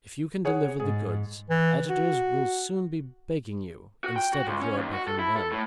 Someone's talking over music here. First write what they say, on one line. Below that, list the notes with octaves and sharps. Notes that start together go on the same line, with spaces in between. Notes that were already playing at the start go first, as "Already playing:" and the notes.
If you can deliver the goods editors will soon be begging you instead of your begging them.
G#4 C#5 F#5
G#2 G#4
E3
F#4
F#4
G5
F#4
C#2
C#4
D#2
F#4
A4
E4
A4
A2